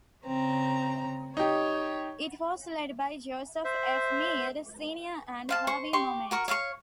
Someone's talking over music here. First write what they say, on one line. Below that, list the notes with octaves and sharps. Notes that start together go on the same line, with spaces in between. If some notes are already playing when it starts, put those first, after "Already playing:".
It was led by Joseph F. Meade, Senior and Harvey Mummert.
C#3 C4 A#5
D#4 G4 C#5
C5 E5
C5 F5 A5
C5 C#6
G4 C6 C#6
F#4 A#4 C#6
C#5 F5 A#5 C#6